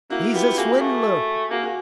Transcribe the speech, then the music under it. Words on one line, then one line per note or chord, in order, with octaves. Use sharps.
"He's a swindler!"
A#3 E4 F#4
B3 F4 G4
A#3 F#4 G#4
A3
A#3 F#4 G#4
F#4 G#4